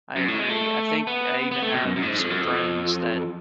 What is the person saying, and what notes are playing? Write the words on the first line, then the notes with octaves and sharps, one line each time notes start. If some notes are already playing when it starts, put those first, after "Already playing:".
I agree, I think I even have some friends that
F#2
A2
G#3
A3
B3
B3
A3
B2
F#2
F#2
A2
G#2
F2
F#2
F2